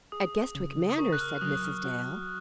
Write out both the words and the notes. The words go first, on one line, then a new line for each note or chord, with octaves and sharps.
"At Guestwick Manor!" said Mrs. Dale.
G#4 D#6
C#3
D#6
A#4 C#6
F#6
F6
F#3 D#6
D#6
F6
F#4